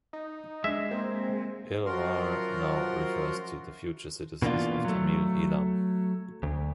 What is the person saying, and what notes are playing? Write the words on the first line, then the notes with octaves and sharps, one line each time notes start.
Eelavar now refers to the future citizens of Tamil Eelam.
D#4
G#3 D4 D#5 E5
A#3 C4
F#2 F3 F#4 A#4 C6
B2 E3 A#3 D4 F4
F#3 A3
D2